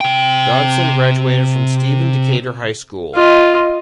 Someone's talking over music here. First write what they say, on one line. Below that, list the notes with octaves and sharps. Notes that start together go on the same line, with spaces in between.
Dodson graduated from Stephen Decatur High School.
C3 G5
F4 D#5